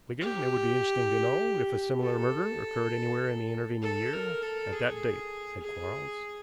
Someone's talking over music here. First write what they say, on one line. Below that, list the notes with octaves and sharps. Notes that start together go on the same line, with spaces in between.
"Wigan, it would be interesting to know if a similar murder occurred anywhere in the intervening year at that date," said Quarles.
G4
A4
A4
A#4
A4
G#4
G#4